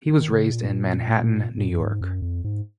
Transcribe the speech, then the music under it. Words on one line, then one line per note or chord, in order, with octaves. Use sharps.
He was raised in Manhattan, New York.
D#3
C#3
A#2
A#2
F#2
G#2
F#2
F2
G#2